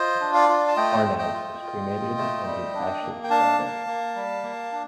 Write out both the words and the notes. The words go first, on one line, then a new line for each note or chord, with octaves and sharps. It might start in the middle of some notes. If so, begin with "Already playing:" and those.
Arnaz was cremated and his ashes scattered.
Already playing: F4 C5 D#5
D4
D5 F5
F4
A5
A3 D#5 G5
A3
D#5 G5
F4
F4
F4
A3
G3
D4
A#3
G5
D4 F5 A5
A#3
A#3
G3
A#3
D4